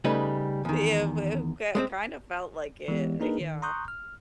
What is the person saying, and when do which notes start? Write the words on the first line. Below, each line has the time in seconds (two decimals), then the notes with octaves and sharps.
Yeah, w it got kind of felt like it, yeah.
0.04 C#3 G3 A3 D#4 B4
0.65 E2 D#3
1.75 G#3 A3 C4
2.88 E3 G#3 B3 G4
3.20 A#3 D4 D#4 G#4 A#4 B4
3.41 D#3
3.62 A#5 C6 C#6 D#6 F#6 G6
3.88 F6